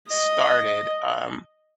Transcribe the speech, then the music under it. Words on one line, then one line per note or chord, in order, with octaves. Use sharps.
started, um,
D#5